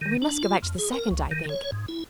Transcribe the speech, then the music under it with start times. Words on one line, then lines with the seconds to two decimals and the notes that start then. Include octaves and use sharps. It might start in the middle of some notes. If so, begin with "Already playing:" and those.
'We must go back to the second, I think.
0.01 D#3
0.22 D4
0.43 F4
0.63 F2
0.78 G#4
0.93 A#4
1.11 C#2
1.31 D#3
1.49 C#5
1.72 G#2
1.88 E4